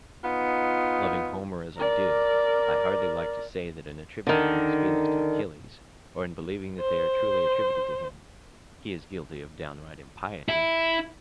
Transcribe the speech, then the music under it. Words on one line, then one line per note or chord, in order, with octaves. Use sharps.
Loving Homer as I do, I hardly like to say that in attributing these feelings to Achilles, or in believing that they are truly attributed to him, he is guilty of downright impiety.
B3 D#4 F4
A#4 D5
D3 D#3
C5
E4